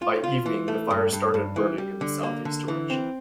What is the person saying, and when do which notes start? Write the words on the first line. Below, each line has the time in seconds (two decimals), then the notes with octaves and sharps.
By evening, the fire started burning in a southeast direction.
0.02 F4
0.24 F4
0.46 E3
0.68 A3
0.91 G2
1.13 G2
1.34 G2
1.56 E3
1.78 G3
2.01 D3
2.23 A#3
2.45 D3
2.68 E3
2.90 C4